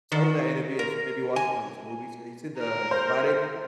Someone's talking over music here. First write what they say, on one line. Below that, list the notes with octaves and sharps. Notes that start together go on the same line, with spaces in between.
start with that interview and s maybe watch some of his movies, have you seen the the Friday movies
D#3
A#4
G#5
A#4
C5